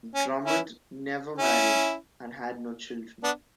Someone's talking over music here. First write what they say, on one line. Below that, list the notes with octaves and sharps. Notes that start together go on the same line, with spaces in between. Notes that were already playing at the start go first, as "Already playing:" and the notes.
Drummond never married and had no children.
C#4
C#4 E4
C#4 E4
B3 D4